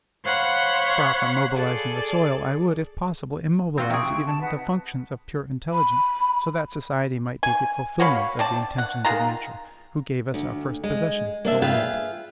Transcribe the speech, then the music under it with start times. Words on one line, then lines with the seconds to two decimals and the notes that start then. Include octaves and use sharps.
Far from mobilizing the soil, I would, if possible, immobilize even the functions of pure intelligence, so that society might be the fulfilment of the intentions of Nature, who gave us our first possession, the land.
0.24 C5 C#5 F5 F#5 B5 C6
1.53 G#4 A4 D5
3.78 C4 F4 F#4
3.90 C3 G#4 G5 C#6
4.26 A5
4.41 D#4 B4 F#5
5.73 B5
7.43 G#5
8.00 F#4 C#5 F5 B5
8.39 C4 D5 A5
8.78 F#5
9.05 D#3 F4 G#4 A#5
10.34 D2
10.84 G#3
11.45 A#3 D4 E5
11.62 F4 G#4 B4 E5 G5